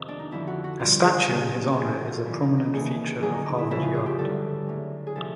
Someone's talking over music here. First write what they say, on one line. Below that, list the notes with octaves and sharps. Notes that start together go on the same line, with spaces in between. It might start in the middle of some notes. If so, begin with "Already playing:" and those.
A statue in his honor is a prominent feature of Harvard Yard.
Already playing: F2 C3 D#3
D4
D#4
F2 D3 F3 E4
F#4
F#4
G2 D3 F3 F4
G#4
D#2 C#3 F#3 G4
A2 E3 G#4
A4
F#4
F4
F2 D3 F3 E4
D#4
D#4
D#2 C#3 E3 G#4
F2 D3 F#3 G#4
D#4
D#4
E4
F2 C#3 F3 E4
F4
G#4
G4
G2 D3 F#3 A4
A2 F#3
G#4
C3 F3 A4